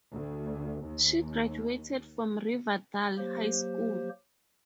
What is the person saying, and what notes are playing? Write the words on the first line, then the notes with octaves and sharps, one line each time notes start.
She graduated from Riverdale High School.
D2
D#2
F#3 A#3 G4 C5